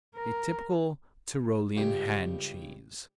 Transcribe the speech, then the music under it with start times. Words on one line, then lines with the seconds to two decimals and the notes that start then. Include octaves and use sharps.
A typical Tyrolean hand cheese.
0.16 A#4
1.77 C#2 G2 G4